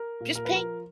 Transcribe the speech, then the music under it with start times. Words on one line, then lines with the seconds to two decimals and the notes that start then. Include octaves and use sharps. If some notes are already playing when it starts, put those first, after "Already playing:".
just pay
Already playing: A#4
0.21 A#2
0.35 A#4
0.45 F3 B4
0.56 A#4